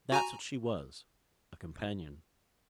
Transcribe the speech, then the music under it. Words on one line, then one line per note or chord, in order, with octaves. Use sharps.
That's what she was,--a companion.
F#4 G#5 A#5